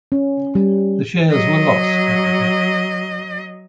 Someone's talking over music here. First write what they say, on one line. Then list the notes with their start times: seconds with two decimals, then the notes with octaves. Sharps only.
The shares were lost, however.
0.12 C#4
0.55 G3
1.31 F#3 D#5